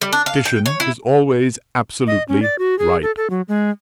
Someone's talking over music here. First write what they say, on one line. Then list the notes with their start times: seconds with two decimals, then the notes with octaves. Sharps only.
Titian is always absolutely Right.
0.01 G3
0.13 D4
0.26 F5
0.46 G5
0.66 C#5
0.80 E4
2.07 D#5
2.28 C#4
2.42 D5
2.59 F#4
2.79 G#4
3.03 A4
3.17 A4
3.30 F#3
3.48 G#3